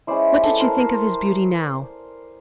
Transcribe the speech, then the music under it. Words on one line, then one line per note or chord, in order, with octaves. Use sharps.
What did she think of his beauty now?
G#3 C#4 E4 C5 D5
A4 B4
A#4 C5
A#4 C5